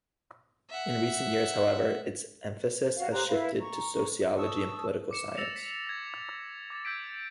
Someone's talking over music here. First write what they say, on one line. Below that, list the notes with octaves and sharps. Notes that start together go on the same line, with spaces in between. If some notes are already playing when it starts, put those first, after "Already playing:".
In recent years, however, its emphasis has shifted to sociology and political science.
E5 F#5
F#4 F5
G4 C5 A#5 F#6
E4 B4 F5
A#5 C#6
A5 C#6 D#6 E6
D6 C#7 E7
E6 A6 A#6 C#7 F7
B6
G#6 A#6
D6 A6
E6 G6 G#6 B6 D7